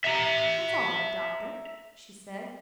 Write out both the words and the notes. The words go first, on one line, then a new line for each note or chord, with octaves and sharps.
"That's all right, Doctor," she said.
E5 A#5